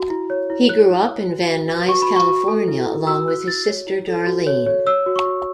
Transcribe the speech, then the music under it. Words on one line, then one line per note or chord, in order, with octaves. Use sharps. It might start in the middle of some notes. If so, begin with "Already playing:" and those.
He grew up in Van Nuys, California along with his sister Darlene.
Already playing: F#4
E4
C#5
E4
C#5 F#6
E4
E4
F#4
F#4
B4
F#4 C#6
B5
F#4
C#6
F#4
A4
E4
E4
F#4 E6
F#4 F#6
F#4 A6
C#5
E4
A4
F#4
C#5
C#5
C#5 E6
F#4
C#6
F#4